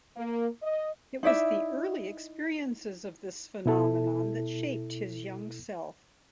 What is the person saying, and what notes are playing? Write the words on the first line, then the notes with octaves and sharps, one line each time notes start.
It was the early experiences of this phenomenon that shaped his young self.
A#3
D#5
D#4 E4 D5 E5
B2 E4 A4